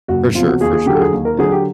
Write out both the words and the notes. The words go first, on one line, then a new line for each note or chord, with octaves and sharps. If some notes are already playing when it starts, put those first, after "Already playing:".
For sure, for sure. Yeah.
F#1 F#4
E2 C3 F3 F4
F#4
D#2 G#4
G#4
D3 F#3 G4
A4
G#4
D#2
A#4
D3 F#3 G#4
G4